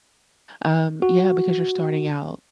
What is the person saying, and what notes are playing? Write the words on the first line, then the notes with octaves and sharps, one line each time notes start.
Um, yeah, because you're starting out
F#4